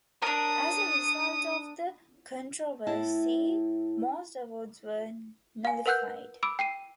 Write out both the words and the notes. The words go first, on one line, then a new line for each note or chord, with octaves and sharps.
As a result of the controversy, most awards were nullified.
D4 A#4 D#6
A2 E4 A5
F5 G#5
A#4 B4 F#5 E6 F#6 G6
B5 D6 E6 D7
G5 C7 D#7